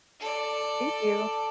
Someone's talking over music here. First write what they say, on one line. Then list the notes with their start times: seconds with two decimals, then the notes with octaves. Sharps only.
Thank you.
0.20 A4 D5